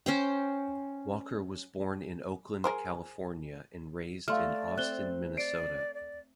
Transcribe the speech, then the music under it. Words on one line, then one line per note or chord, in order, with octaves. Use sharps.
Walker was born in Oakland, California and raised in Austin, Minnesota.
C#4 C5 G5
G#4 A#4 C5
A3 D5 F5 C6 F6
C4 F#6 G7
D5 C7 D7
D5